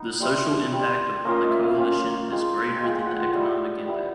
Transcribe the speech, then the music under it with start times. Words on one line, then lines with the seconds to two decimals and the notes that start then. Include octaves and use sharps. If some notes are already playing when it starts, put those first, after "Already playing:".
The social impact upon the Coalition is greater than the economic impact.
Already playing: B3 D#4
0.20 G3 C4 E4
0.72 G3 C4 E4
1.25 A#3 C#4 F4 D#5
1.37 D#5
1.50 E5
1.63 F5
1.77 A#3 C#4 F4 G5
2.28 G#3 C4 F4
2.81 G#3 C4 F4
2.94 G5
3.07 F#5
3.20 F#5
3.33 G3 B3 E4 G5
3.86 G3 B3 E4